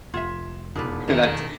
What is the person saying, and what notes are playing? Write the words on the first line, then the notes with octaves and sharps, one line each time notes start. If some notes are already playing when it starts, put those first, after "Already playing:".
and that's,
F1 F4 E5 C6 G#6 E7
E1 B3 D#4 F4 B4 D6
D#3 A3